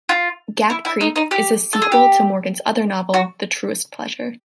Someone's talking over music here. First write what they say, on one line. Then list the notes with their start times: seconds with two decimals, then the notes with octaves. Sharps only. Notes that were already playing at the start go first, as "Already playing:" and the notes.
"Gap Creek" is a sequel to Morgan's other novel, "The Truest Pleasure".
0.09 F4
0.70 E4
0.85 E4
1.01 D#4
1.16 D#4
1.31 G4
1.73 A4
1.82 G#4
1.92 G4
3.14 F#4